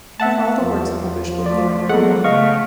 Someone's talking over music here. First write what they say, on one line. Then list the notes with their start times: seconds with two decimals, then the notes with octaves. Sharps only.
Not all the works published were new and unknown.
0.20 A3 E5 F#5 A5
0.61 E2 F3
1.46 A3 D5
1.89 F#3 G#3 A#3 B3 A4 F#5
2.24 C#3 A3 D#5 F5 C#6